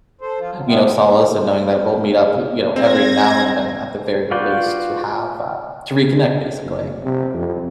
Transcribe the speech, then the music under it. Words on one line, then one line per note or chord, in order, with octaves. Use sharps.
you know, uh, solace in knowing that we'll meet up, p you know, every now and then at the very least to have um to reconnect, basically.
A4 C5
F3 F4
F#3
A3 B3 D4 E4 F4 G4
B3 C4
C4 G#6 A#6
F4 F#4 B4 D5 G5
F#1
C3
F2